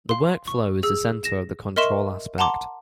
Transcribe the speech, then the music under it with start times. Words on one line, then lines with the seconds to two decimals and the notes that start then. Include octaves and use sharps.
The workflow is the center of the control aspect.
0.09 F5 C6
0.47 C#6
0.83 G#4 E6
1.24 A#6 E7
1.76 A#4 D#5 E5 C6 C#6 E7
2.38 F#5 A5 A#5 C6 D6